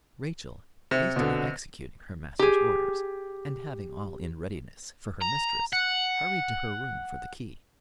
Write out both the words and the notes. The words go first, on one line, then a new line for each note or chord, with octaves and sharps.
Rachel, hastily executing her master's orders, and having all in readiness for her mistress, hurried to her room for the key.
C3
B2 D3
G4 G#4
A#5
F#5